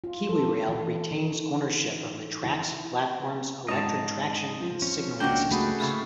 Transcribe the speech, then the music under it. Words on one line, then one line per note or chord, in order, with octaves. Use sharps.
KiwiRail retains ownership of the tracks, platforms, electric traction and signalling systems.
F4
A4
E3
D#4
E4
G#2 C#5 D#5 A5
F3
C#4
C#2 A#3 D4 F#4 G5
A3 F#4 G#4 B4
A2 C#3